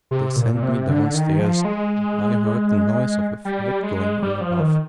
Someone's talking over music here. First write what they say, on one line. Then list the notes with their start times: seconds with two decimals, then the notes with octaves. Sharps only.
They sent me downstairs; and I heard the noise of a fight going on above.
0.11 C3
0.36 A#2
0.55 A#2
0.63 C3
0.89 D3
1.14 D#3
1.39 F3
1.65 G#3
3.45 G3
3.83 G#3
4.22 G3
4.41 F3
4.60 D#3